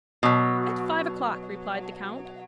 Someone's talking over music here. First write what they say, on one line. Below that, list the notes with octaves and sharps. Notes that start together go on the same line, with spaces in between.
"At five o'clock," replied the count.
B2 F#3